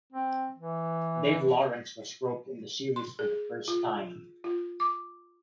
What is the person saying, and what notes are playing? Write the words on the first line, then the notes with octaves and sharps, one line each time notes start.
Dave Lawrence was roped in the series for the first time.
C4
E3
C6
G#4
F4
F4
D6